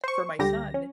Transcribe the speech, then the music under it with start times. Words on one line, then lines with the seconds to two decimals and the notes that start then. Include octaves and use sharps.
for my son,
0.04 C5 C#6
0.39 C#2 D3 G3 G4 A#6
0.74 C#4